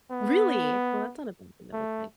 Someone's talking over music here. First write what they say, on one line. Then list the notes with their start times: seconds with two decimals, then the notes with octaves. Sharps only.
Really? Well, that's not a bad thing to look like.
0.11 B3
1.73 A3